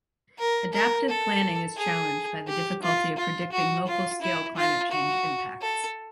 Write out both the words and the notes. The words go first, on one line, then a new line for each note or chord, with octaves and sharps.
Adaptive planning is challenged by the difficulty of predicting local scale climate change impacts.
A#4
A#4
A4
G#4
G4
F4
F4
F#4
F4
E4
F4
F#4
A4